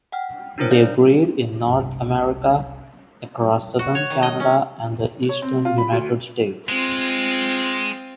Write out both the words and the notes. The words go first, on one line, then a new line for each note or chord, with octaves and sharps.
They breed in North America, across southern Canada and the eastern United States.
F#5 G5 F6
D4 D#4 F4 A#4 C5 C#5
D5 F5 G6
G1 C2
F#4
C#5
D#3
D#5
C#4
C#5
C4
F4
B5
D2
G#3 C4 F4